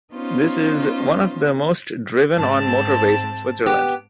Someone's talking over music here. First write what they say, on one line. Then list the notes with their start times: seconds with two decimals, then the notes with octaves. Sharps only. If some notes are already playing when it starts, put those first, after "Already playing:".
This is one of the most driven-on motorways in Switzerland.
0.12 B3 C#4 D#4 F4 C5
2.36 G#2 C4 A5
3.66 B3 G4